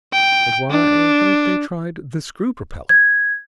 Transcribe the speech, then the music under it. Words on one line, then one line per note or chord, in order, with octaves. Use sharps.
And why haven't they tried the screw-propeller?
G5
D4
G#6